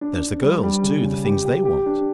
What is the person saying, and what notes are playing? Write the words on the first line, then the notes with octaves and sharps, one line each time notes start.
There's the girls, too--the things they want!
D4
D4
G3
G3
C#3
C#3
G4
G4
G4
D4